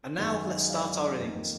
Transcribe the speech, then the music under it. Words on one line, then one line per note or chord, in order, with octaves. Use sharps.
And now let's start our innings.
F#2 D#3 G#3 B3 F#5
G#5
D#5 F#5
D5 F5
F2 D#3 A#3